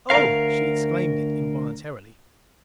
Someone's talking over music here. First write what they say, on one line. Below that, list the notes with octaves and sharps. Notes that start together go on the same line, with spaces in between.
"Oh!" She exclaimed it involuntarily.
D2 C#3 A#4 F5